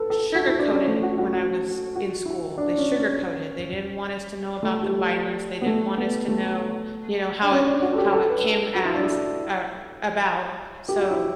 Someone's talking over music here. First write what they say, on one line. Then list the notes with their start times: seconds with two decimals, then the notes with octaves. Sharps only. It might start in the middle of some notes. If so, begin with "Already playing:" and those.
sugar-coated when I was in school, they sugar-coated. They didn't want us to know about the violence, they didn't want us to know, you know, how it how it came as, or, about, so,
Already playing: A4 B4
0.10 A4
0.35 F#4
0.47 E4
0.59 D4
0.72 C#4
0.88 A3
1.03 F#4
1.18 F#4
1.33 F#4
1.96 F#4
2.26 E4
2.58 D4
2.78 C#4
2.99 C#4
4.63 A3
4.83 G3
5.62 B3
5.66 A3
5.97 B3
6.28 A3
7.42 D4
7.52 C#4
7.68 D4
7.82 F#4
7.93 A4
7.98 G4
8.13 A4
8.29 B4
8.44 A4
8.75 F#4
8.85 E4
8.94 D4
9.03 E4
10.89 G4
11.00 F#4
11.11 E4